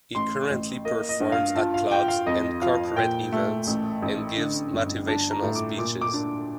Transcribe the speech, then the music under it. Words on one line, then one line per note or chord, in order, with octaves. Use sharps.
He currently performs at clubs and corporate events and gives motivational speeches.
A1 C6
A1
A#3 D#5
D#5
G2
F5
F4 A5
F5
F4 G5
F5
F2 D#5
F3 F5
A#2 G5
A3
A1
A1
D3
G1
D4 A5
A#5
A2
D6
A#2 D6
D6
D4